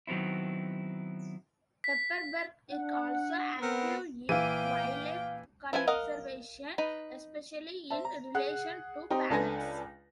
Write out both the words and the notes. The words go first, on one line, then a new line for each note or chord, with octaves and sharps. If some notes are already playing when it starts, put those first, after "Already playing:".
Pepperberg is also active in wildlife conservation, especially in relation to parrots.
D#3 F#3 B3 C4 E4
B6
D4 F#5
B3 C4 A#4
A#2 E3 F5 G5 D6 D#7
F3 E4 B4 G#5
A#4 D#5 F5 F#5
D#4 B4
C5 E5 A5
A#5
G#4 F#5 F#6
C4 D#4 G4 D#5 G5
C#2 D4 A4 B4 G#5 A#6